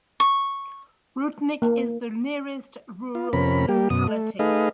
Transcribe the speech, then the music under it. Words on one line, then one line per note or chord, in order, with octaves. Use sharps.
Rudnik is the nearest rural locality.
C#6
A#3
F4
F2 C3 C#4 A#4 B5
G3 A#3 G4
F#2 B2 D#6
A3
A3 D#4 G#4 B4 D#5 F5